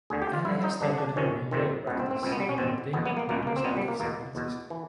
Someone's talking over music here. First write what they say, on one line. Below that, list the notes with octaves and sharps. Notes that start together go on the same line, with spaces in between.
Annie has started her own law practice in entertainment matters out of San Francisco.
D2 D3 G#4
G4
F4
G2 D3 E4
D#4
G2 D3 D4
D4
F2 C3 D#3 C#4
F2 C3 D#3 C4
C#2 B2 B3
C4
C4
C#2 B2 C4
B3
G3
C#4
E2 B2 C4
E2 B2 B3
B3
A#3
C#2 B2 A#3
A#3
C4
C#2 B2 B3
G3
A#3
E2 B2 A#3
E2 B2
E3